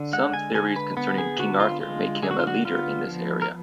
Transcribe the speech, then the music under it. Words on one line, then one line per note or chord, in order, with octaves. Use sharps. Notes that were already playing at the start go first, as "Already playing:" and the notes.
Some theories concerning King Arthur make him a leader in this area.
Already playing: D3
G#3 F#5
G#5
D3 G#5
B4
B3
G#4
D3 F#4
F4
G#3 F4
D3 G#4
F#4
F4
F#4
B3 F4
F3
A#4